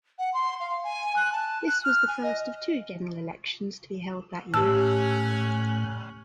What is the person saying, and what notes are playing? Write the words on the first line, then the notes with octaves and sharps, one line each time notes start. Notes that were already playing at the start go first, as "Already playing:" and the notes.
This was the first of two general elections to be held that year.
F#5
C6
F5
G#5
F#6
A5
F#6
F6
G#5
D#5
A2 C#4 G4 A5 E6 F#6